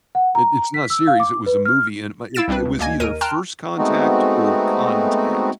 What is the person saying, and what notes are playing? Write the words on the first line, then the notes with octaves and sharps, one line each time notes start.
It It's not a series, it was a movie, and my it it was either First Contact or Contact,
F#5
A#5
B6
E6
F5
D6
B4
F6
E4 F5 E6 A6 D7 E7
C2 G3 C4 D4 B4
C#2
D2 A#3 D#5 G#5 G#6
D#2 A#4 D#5 D#7
G5 A5 A#5 C6 F6 F#6
G#3 A3 B3 C4 D#4 F#4